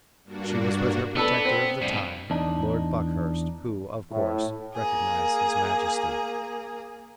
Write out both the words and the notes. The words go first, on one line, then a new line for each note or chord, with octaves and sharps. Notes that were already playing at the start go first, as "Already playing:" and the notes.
She was with her protector of the time, Lord Buckhurst, who, of course, recognized his majesty.
G2 A#3 D4 F#4
B3 D4 A4 B4
C4
G2 B2
E2 D4 D#4
A2
A#3 G#4